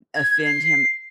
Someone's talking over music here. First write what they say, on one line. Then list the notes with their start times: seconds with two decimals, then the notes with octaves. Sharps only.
offend him,
0.16 G#6
0.30 G#6
0.45 C7